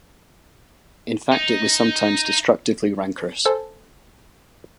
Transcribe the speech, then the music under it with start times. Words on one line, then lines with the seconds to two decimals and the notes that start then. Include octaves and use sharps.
In fact it was sometimes destructively rancorous.
1.32 D#4
3.45 A4 C5 G#5 A5